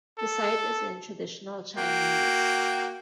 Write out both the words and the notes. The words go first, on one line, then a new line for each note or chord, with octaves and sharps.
The site is in traditional Chinese.
A4
A#3 F#4 G5